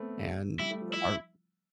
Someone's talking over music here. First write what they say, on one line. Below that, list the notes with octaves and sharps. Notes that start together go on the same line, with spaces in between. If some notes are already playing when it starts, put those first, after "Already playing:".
and our
Already playing: A3 B3 C4
G3 E4
A3
F3
E4